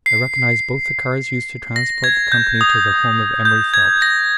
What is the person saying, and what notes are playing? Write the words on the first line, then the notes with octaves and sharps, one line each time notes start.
I recognized both the cars used to transport the company to the home of Emery Phelps.
C7
A#6
G#6
G6
D#6
G6
G#6
A#6